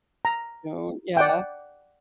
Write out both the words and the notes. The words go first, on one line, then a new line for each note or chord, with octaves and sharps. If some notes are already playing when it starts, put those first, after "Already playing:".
soon, yeah.
A#5
D5 F#5 G5